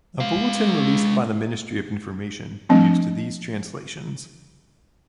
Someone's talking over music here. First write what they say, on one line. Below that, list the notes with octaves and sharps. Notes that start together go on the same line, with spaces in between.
A bulletin released by the Ministry of Information used these translations.
G#3 F5
F3 G3 A3 C4 D4